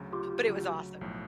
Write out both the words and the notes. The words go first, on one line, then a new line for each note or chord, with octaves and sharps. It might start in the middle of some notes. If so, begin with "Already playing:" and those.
but it was awesome.
Already playing: D2 C#3 F#3
F4 G4
D2 C#3 F#3
B1 A2 F3